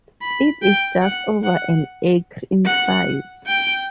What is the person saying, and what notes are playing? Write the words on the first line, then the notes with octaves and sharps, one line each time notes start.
It is just over an acre in size.
B5
G5
F#5
F#5
F#5
G5